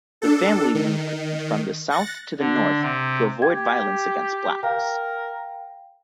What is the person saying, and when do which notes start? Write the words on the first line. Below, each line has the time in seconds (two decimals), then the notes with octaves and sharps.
The family moved from the South to the North to avoid violence against blacks.
0.22 D4 A4
0.75 D#3
1.90 F#6 A6 A#6 C#7
2.39 D3
2.82 C3
3.42 G4 G5 G#6
4.63 A#4 F5 G5